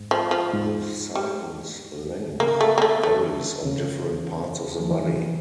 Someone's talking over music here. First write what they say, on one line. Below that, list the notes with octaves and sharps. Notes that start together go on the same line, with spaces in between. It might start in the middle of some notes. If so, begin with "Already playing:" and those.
The cycle's length varies on different parts of the body.
Already playing: G#2
F3
F3
G#2
G3
C#3 A#3
A3
A#3
A3
A3
C#3
F3
E3